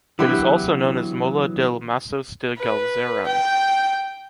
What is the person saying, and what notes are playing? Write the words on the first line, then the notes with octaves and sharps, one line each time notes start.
It is also known as Mola dels masos de Galzeran.
D3 E3 F#3 B3 E4 G4
B4
G5